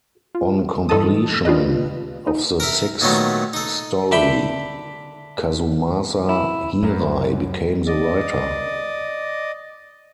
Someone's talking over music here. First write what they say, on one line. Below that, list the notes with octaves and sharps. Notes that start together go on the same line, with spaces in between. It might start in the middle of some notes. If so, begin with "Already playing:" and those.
On completion of the sixth story, Kazumasa Hirai became the writer.
F4
G2 E3 A4 D#5 A5 D#6
D4 F4 G4 B4 D#5
D#4
A#4 E5
A#2 D#3 F#3 A3 B3
D#4 A4
D3 E5 G5 B5
E4
F#2
D5 D#5